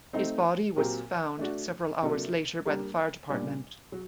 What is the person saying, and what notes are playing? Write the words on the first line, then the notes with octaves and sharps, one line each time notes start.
His body was found several hours later by the fire department.
A3 C4 D#4
A#2 F#3 C4 G4 A#4
A3 D4 F#4
C3 F#3 A#3 D4 A4
G3 A#3 D4 G4 A#4
A#2 G3 D4
F#3